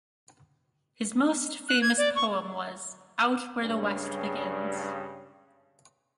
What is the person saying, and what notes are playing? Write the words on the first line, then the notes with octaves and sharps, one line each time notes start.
His most famous poem was "Out Where the West Begins".
F#6
G#6
D5
C#6
G2 C#3